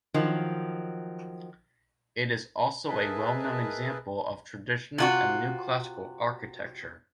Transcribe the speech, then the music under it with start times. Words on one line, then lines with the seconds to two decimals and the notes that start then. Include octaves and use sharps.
It is also a well-known example of traditional and New Classical Architecture.
0.14 D#3 F3 F#3
2.88 G#4 A#4 B4 D#5 E5 A5
4.98 C3 F4 F#4